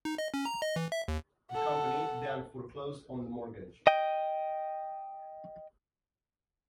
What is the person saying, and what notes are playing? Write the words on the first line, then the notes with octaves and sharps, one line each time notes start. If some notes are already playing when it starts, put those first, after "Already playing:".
The company then foreclosed on the mortgage.
D#4
D#5
C#4
A#5
D#5
E3
E5
D#2
A4 F#5
D#5 G5